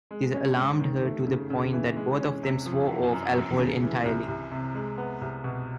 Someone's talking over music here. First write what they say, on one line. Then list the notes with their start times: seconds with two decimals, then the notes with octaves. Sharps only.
This alarmed her to the point that both of them swore off alcohol entirely.
0.11 G#3
0.34 C#4
0.57 G#2
0.80 D#3
1.04 A3
1.27 C#3
1.50 C#3
1.73 E3
1.96 G#3
2.20 C#4
2.43 C3
2.66 F3
2.89 E3
3.13 F#2
3.35 F#2
3.59 C#3
3.82 E3
4.05 C2
4.28 C2
4.52 C3
4.75 G#3
4.98 B3
5.21 C2
5.44 B2